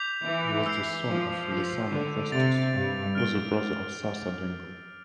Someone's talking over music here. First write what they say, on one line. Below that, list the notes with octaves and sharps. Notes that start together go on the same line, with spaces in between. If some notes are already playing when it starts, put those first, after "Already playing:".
He was the son of Lesana Krestos, who was the brother of Sarsa Dengel.
Already playing: D6 G6 B6 F7
E3
E6 G6 C7 F7
F3
F3 D6 G6 B6 F7
D3
C3 A6 D7 F7
G2
F6 A6 D7 G7